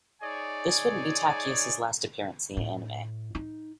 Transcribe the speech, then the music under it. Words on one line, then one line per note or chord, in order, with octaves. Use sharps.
This wouldn't be Takius's last appearance in the anime.
D#4 G#4 C#5 D5 G#5
A2
D#4